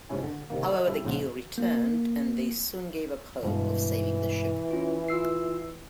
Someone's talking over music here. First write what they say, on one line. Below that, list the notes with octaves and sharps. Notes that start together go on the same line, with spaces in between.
However the gale returned and they soon gave up hope of saving the ship.
G#2 C3 C#4 E4 G#5
D3
C3 D#3 A#3
A4 C#5 D#5
G3 E4 A4 E5
A#1 G#2 C#3 C5 F#5
A#3
G2 B2 E3 G#3
C#4 F4
F4 E6 C7